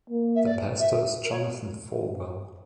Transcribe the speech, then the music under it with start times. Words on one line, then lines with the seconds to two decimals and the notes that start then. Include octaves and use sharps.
The pastor is Jonathan Falwell.
0.10 A#3
0.35 E5
0.45 D5
0.80 E5
1.24 A#4
1.31 C#5